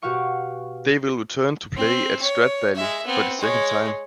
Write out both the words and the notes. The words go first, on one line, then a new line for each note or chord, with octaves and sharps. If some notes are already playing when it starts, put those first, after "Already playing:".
They will return to play at Stradbally for the second time.
B2 F#4 G4 F5 C#6 C#7
C4
C#5
G#3 E5
B3 C4
G#3 C#5